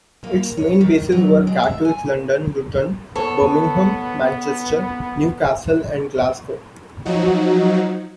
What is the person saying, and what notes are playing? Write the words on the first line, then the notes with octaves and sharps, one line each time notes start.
Its main bases were Gatwick, London Luton, Birmingham, Manchester, Newcastle and Glasgow.
A#3
C#5
D#3
F#3
G#3
E5
G#5
B3 A4 C#5
F3 F#3 D#4 F#4